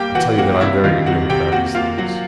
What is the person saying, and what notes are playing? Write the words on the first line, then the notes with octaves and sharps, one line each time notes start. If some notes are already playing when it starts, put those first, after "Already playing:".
"I tell you that I am very ignorant about these things."
Already playing: G3 A#3 G4 G5
E3 F#4 F#5
A#3 F#4 F#5
C3 E4 E5
D#3 F4 F5
C3 F#4 F#5
C3 G4 G5
A#3 F#4 F#5
A#3 F4 F5
F#3 F#4 F#5